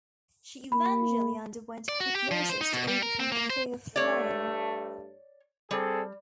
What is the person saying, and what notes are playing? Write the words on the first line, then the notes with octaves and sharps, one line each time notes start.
She eventually underwent hypnosis to overcome her fear of flying.
A#3 B5
D5
F#4
G4
F3
C5
D#4
B2
G3
A#4
C4
A#3
C5
G2 A3 C#5 D5
G3 C4 G#4 A4